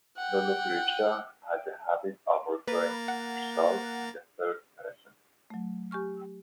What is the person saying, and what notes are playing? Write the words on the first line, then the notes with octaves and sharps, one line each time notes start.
Lollobrigida has a habit of referring to herself in the third person.
F#5 G5
A#3 B4 A#5 A6
F#5
F#3 A3
G4 G#5 C#6 F6